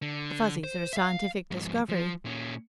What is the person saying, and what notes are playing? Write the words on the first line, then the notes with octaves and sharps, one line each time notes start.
The Fuzzies are a scientific discovery.
D3
C5
E5 F5
F2 G#2
F3
A#2 C#4